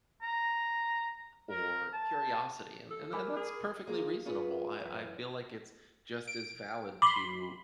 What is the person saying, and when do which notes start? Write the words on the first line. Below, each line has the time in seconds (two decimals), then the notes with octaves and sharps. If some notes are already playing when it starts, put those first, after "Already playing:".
or curiosity and and then that's perfectly reasonable, I I feel like it's just as valid to,
0.22 A#5
1.51 A#4
1.93 A5
2.91 A4
3.13 A#4 G#5 B5 D6
3.37 G#4
3.87 A#3 F4 G#4 F5
4.25 C#4 F4 G#4 B4
4.80 F#2 E3
6.28 D7
7.02 B5 C6 D6